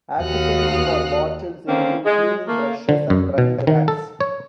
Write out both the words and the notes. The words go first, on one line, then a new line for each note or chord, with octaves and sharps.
Accessories for bottles include cleaning brushes and drying racks.
D#2 F#4 F5 D#6 F6 F#6
D3 D#3 A#3 C4 C#4
G#3
A3 A#3
D3
F#2
B2
D#3
A4
C#5